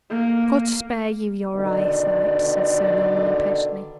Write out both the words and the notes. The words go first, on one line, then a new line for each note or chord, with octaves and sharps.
"God spare you your eye-sight!" said Sir Norman, impatiently.
A#3
B2 D3 D#3 D5